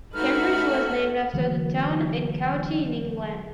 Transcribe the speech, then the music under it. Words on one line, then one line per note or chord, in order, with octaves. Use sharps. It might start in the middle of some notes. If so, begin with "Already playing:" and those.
Cambridge was named after the town and county in England.
A3 D#4 F#4 A4 B4 E5 F6
D3 E3 F#3 A#3